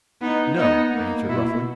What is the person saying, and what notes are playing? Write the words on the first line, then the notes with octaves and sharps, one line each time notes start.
"No," I answered roughly.
B3 D#4
B3 D#4
A#3
B2 E4